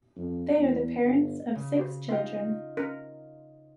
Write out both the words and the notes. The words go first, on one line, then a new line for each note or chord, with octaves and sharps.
They are the parents of six children.
F2
E2
G1
C#3
F#4 G4 C5
D#4 F4 C5 E5 G5
C#4 A#4